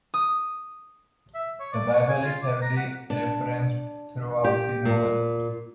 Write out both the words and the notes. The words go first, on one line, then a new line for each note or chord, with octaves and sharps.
The Bible is heavily referenced throughout the novel.
D#6
E5
C#5
D5
C#5
G#5
F4
D6
A#5
F#5
D4
G4
A#2